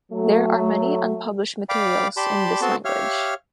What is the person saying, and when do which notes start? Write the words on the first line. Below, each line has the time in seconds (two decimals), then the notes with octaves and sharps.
There are many unpublished materials in this language.
0.12 F#3 A3
1.69 D5 F5 G5 B5 D6
2.17 G4 D5 A5 B5 C6
2.61 B3 C4 F#4 A4 A5 C6
2.85 G4 C#5 E5 F5 F6